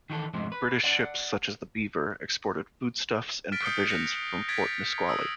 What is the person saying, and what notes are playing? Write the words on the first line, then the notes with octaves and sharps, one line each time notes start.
British ships such as the "Beaver", exported foodstuffs and provisions from Fort Nisqually.
D#3 E3 G4 A4
F2 G#2 C3 F3 G#3
B4
D5 F#5
F6 A6 B6 D7
D#6 G6 C7 C#7 G7
F#6 A#6 C#7 F7
G#6 A6 B6 D7
D#6 E6